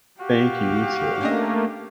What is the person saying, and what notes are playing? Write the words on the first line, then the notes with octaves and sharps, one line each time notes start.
Thank you, you too.
F#4 G4 F5
A3 A#3 C#4 D4 D#5